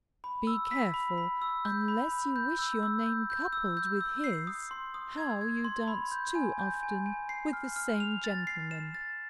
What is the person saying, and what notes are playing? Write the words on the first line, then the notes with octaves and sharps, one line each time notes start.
Be careful, unless you wish your name coupled with his, how you dance too often with the same gentleman.
B5
E6
B6
B5
B5
E6
G6
B5
B5
G6
E6
E6
G6
G6
E6
G6
E6
C7
D#6
C6
D#6
G#6
G#6
C6
B5
G6
G#5
G6
G#5
G#5
C7
F6
F6
F7
A6
C7
E7
A6